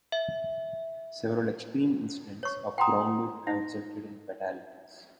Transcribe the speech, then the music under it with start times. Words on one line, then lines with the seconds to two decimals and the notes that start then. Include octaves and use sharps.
Several extreme incidents of ground loop have resulted in fatalities.
0.12 E5
2.43 C#5 C#6
2.78 F#5 G5 A#5 C6 D#6
3.47 D#4 A#6